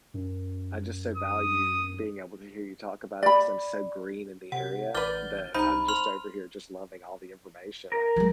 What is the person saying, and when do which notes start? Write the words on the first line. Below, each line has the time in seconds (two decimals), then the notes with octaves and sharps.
I just so value being able to hear you talk about it 'cause I'm so green in the area that I'm just over here just loving all the information, I
0.14 F#2
1.17 D#6
3.23 D5 B5
4.52 C3 F#5
4.95 A1 B4 D5 F6 G6 A6 G7
5.54 C2 D#4 C5 A#5 B5
5.88 C6 F6 F7
7.92 A#4
8.16 F#3 G#3